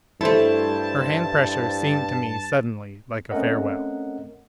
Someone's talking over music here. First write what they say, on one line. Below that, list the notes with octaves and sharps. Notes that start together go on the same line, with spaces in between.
Her hand pressure seemed to me suddenly like a farewell.
G2 A3 E4 A4 C5 A5
A3 C4 C#4 A#4 D#5 F#5